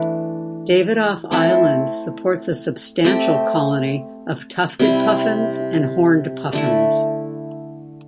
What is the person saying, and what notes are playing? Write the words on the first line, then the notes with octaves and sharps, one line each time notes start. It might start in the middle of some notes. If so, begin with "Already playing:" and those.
Davidof Island supports a substantial colony of Tufted Puffins and Horned Puffins.
Already playing: E3 A3 D4
A3 C4 E4 A4
A3 C4 G4
C3 G3 C4 E4
D3 A3 E4